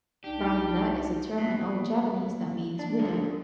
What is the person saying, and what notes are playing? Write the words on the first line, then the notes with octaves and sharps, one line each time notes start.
Rangda is a term in old Javanese that means "widow".
C2 D4 D#4 G4
B2 A#3
D4
D2 G#2 D3